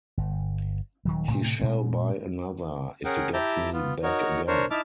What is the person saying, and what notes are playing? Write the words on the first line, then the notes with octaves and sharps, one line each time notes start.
He shall buy another, if he gets me back again.
G1
D#1 D#3 F#3
A2 C3 A3
A#2 G#3 C4
C#4 G#4 A#4 F#5 G5
E4 G4 G5 A5 A#5 G6
B3 F4
D#4 F#4 A#4 C#5
D4 A#4 C5 C#5
D#4 E4 E5 A5 D6 F6